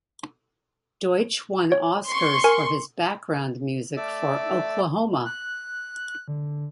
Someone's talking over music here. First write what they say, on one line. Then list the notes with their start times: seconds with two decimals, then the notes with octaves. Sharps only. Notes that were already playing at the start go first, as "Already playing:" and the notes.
Deutsch won Oscars for his background music for Oklahoma!
1.72 C#5
2.07 C6 C#6
2.44 A#4 G#5
3.97 A3 D5 E5 D6 E6
5.25 F#6
6.28 D3